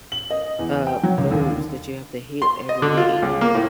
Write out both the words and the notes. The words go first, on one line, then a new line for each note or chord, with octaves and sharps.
uh, goals that you have to hit every day
F#7
D#5
E2
G5
F#3
C#2
D#2
D3
C6
D#5
D3
F4
C#2
A#3
A2